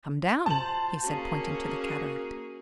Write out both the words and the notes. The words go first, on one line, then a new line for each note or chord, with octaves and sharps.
"Come down," he said, pointing to the cataract.
F4 C5 A5 F#7
A#3 C#4 F#4 G#4